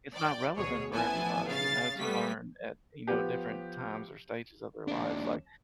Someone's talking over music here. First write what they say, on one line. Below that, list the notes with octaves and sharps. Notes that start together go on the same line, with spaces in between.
it's not relevant for everybody, you know, to learn at, you know, different times or stages of their lives, like,
D5 G5
D2 B2 G#4 C#5
A1 F3 B3 E4 G#5 A5
C#3 F5 A6
G3 A3 B3 B6
F3 B3 G4
D#2 D4